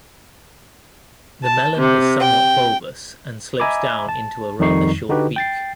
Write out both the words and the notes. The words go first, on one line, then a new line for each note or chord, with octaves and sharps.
The melon is somewhat bulbous and slopes down into a rather short beak.
A5
C3
G5
D#5 E5 G#5 A#5 B5 D6
A5
F2 D#3 G3 D#4 C#6 C7
D3 D#4 F#4 G4 B4
G5 A6 C7